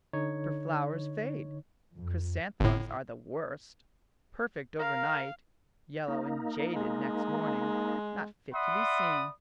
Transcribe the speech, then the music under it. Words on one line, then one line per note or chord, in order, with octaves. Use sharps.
For flowers fade; chrysanthemums are the worst; perfect over night; yellow and jaded next morning--not fit to be seen.
D3 D#4 C#5
F2
G1 A2
A#4 F5
A#3 D#4
G#3
D5 E5 F#5 B5 C6 D#6